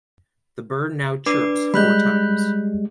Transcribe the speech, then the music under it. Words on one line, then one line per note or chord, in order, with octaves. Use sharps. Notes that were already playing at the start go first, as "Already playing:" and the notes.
The bird now chirps four times.
D4 B4 D6
G3 G#3 B5 F#6 G6